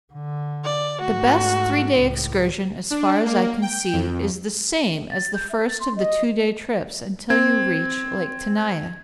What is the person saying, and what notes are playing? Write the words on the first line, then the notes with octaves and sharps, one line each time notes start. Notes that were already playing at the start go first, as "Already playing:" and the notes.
The best three-day excursion, as far as I can see, is the same as the first of the two-day trips until you reach Lake Tenaya.
D3
D5
G#2 A3 F#4
C#2 A2
D4
A#3
G5
F2
A6
G6
E5
A6
C6
D#5
C4 G#6